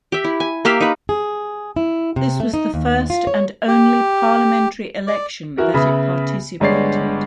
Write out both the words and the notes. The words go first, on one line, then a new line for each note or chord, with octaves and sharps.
This was the first and only parliamentary election that it participated.
G4 E5
E4
G#5
A#3 G4 E5 F5
D#4 B4
G#4
E4
C3
A3
D#4
D#2
F4
C#5
G4
D5
E3 E4 F#4 A#4
C#3 B3 E5 B5
G1 G2 G#3 C#5 D5 C7